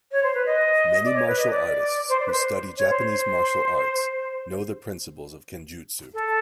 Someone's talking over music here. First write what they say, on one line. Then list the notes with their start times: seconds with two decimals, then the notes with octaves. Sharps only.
Many martial artists who study Japanese martial arts know the principles of kenjutsu.
0.12 C#5
0.23 C5
0.34 B4
0.46 D#5
1.04 D5
1.16 C#5
1.28 B4
1.39 D#5
1.50 D5
2.09 C5
2.20 D5
2.27 B4
2.32 C5
2.78 C#5
2.90 C5
6.14 A4